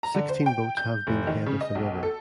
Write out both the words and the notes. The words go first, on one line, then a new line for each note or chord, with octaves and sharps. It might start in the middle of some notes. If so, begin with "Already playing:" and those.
Sixteen boats have been head of the river.
A#5
D3
C5
G5
G6
F1
D#3
C#3
D#5
B1
A4